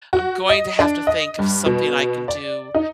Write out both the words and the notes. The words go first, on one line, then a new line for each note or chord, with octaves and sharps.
I'm going to have to think of something I can do
F#4
D#5
D4
D#5
G2
B2
D5
D#4